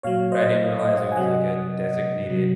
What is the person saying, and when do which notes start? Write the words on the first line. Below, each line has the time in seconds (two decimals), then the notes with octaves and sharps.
but I didn't realize it was, like, a designated
0.03 A#2 F#3 C#5 F5
0.32 C5 D#5
0.79 C5 D#5
0.97 D#5 F#5
1.12 G#5
1.16 C3 F#3 D#5 F#5
2.29 C3 F#3